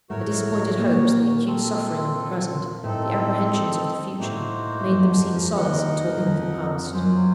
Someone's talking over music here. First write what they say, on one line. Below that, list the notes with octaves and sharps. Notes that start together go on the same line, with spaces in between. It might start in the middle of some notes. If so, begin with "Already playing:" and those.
The disappointed hopes, the acute suffering of the present, the apprehensions of the future, made them seek solace in talking of the past.
A2 A3 F#4 A#4 C#5
A#2 A#3
C4 F4 A4
A2 A3 C4 D#4 A4
A2 A3 A#3 D#4 F#4 C5
A3
F#2 F#3
F2 F3
F2 F3
D#2 D#3 D#4 A#4 D#5 F#5
A3
F#3
F2 F3
F#2 F#3 A#3 C#4 F4 C5